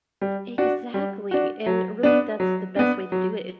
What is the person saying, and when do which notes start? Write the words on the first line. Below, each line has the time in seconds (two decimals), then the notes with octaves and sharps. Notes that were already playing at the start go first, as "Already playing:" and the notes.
Exactly, and really that's the best way to do it
0.21 G3
0.58 D4 F#4
0.94 G3
1.31 D4 F#4
1.66 F#3
2.03 B3 D4
2.40 F#3
2.76 B3 D4
3.12 F#3